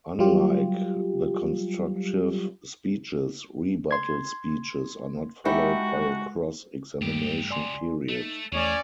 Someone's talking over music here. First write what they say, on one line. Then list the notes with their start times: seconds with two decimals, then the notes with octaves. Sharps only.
Unlike the constructive speeches, rebuttal speeches are not followed by a cross-examination period.
0.19 F#3 G3 F4 G4
3.91 C6 G#6
5.45 G#3 D#4 E4 F#4 G4
7.01 C#2 G2 G3 A3 G4
7.51 D5 G#5 C6
8.09 A3 D#4
8.52 E2 F3 A3 C#4 C#5 D5